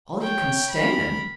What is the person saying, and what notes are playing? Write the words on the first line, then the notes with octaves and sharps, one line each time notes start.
"All you can stand?"
C#5 G5
A#4 B5